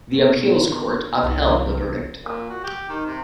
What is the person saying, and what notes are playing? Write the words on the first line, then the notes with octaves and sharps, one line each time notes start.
The appeals court upheld the verdict.
B2 B3 C4
D#3
C2 D#4 F4 B4
C3 E3
A#2
F#4
G4
D#3
C3